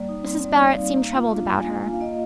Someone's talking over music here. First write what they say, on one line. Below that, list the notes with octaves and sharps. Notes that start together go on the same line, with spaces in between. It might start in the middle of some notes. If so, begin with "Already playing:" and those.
Mrs. Barrett seemed troubled about her.
Already playing: G3 A#3 D5
D#4
C4
G3 D5
G3
F5
D#4
A#3
F4
D4
A#3 G#5
A#3
F4
F5
A#3 D#5